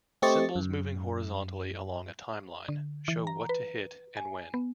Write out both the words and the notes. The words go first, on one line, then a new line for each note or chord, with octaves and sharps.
Symbols moving horizontally along a timeline show what to hit and when.
A3 C4 G4 D#5 C#6 A6
F#2
D3
E3
A#5
B4
G#5
B3